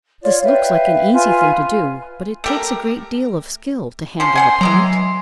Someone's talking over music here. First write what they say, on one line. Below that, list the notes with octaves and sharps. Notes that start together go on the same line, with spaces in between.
This looks like an easy thing to do, but it takes a great deal of skill to handle a punt.
F4 C#5 D5
B4 E5 F5 G5
F4 B4 G#5
A3 G4 A#4
F3 C#4 C6
C5 F#5 G#5
E3 F#3 G#3 A#5